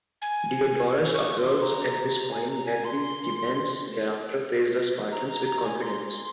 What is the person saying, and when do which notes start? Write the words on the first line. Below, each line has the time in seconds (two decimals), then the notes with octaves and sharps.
Diodorus observes at this point that the Thebans thereafter faced the Spartans with confidence.
0.22 G#5
1.15 C#6
1.38 C6
1.62 A#5
2.31 G#5
2.49 A#5
2.66 G#5
2.85 C6
5.12 A#5
5.29 A#5
5.46 A#5
5.65 G#5
5.82 C6